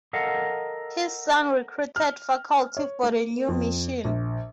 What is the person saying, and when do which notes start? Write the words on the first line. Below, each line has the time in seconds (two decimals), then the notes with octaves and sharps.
His son recruited faculty for the new mission.
0.13 A4 A#4 D#5 F5 F#5
1.96 F6
2.77 C#5
3.03 A#3
3.48 F2
4.05 A#1